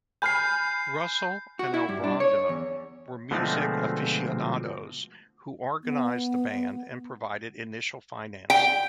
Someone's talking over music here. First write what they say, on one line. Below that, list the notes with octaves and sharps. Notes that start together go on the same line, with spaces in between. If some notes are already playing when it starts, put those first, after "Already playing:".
Russell and Albronda were music aficionados who organized the band and provided initial financing.
G#5 B5 F6 G6 C7
F#4
E4
G2
D4
C#5
E2
B2 D3 F3 G#3 A3 C4
B3
G5